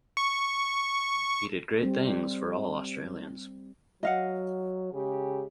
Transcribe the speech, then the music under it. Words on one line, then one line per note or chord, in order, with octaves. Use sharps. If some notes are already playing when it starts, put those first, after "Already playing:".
He did great things for all Australians.
C#6
G3 C4
F#3 D#5 F5 F#5
C#3 G#3 G4